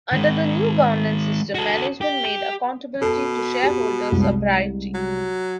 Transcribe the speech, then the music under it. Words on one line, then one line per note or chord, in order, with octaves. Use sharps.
Under the new governance system, management made accountability to shareholders a priority.
D#3 G#3
F#4 A4
G4
B2 A4
G4
C2 G#3
F#3